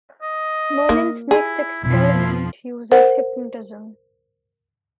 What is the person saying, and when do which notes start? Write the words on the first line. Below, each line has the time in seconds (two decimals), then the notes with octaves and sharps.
Merlin's next experiment uses hypnotism.
0.22 D#5
0.89 A#3 F4
1.31 E4 G#4
1.84 F2 B2 F3 D#4 E4
2.92 A#4 C5 F#5